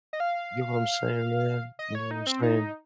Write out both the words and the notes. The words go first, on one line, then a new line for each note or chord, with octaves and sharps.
You know what I'm saying, man? You know what I'm saying?
D#5
F5
D#5
C#5
D#4
C4
D#4